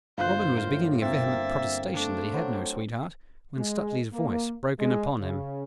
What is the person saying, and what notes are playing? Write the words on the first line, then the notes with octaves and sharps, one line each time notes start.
Robin was beginning a vehement protestation that he had no sweetheart, when Stuteley's voice broke in upon him.
G1 F4 C5 F5 F#6
A2 A#4 F5
A#3 C4 E5 A6
A3 D4
F#3 C5
G#3
A#3
G#3
C#3